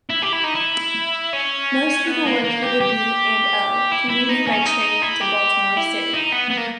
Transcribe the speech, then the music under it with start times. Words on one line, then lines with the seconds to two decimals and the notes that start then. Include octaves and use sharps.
Most people worked for the B and O, commuting by train into Baltimore City.
0.10 E4
0.23 G4
0.33 E4
0.44 D#4
0.55 E4
1.33 C#4
2.07 B3
2.26 A#3
2.44 A#3
2.63 G4
2.81 G4
3.92 E4
4.10 E4
4.29 D#4
4.47 C#4
4.66 D#4
5.02 E4
5.21 G4
5.77 E4
6.13 D#4
6.32 B3
6.50 B3
6.57 A#3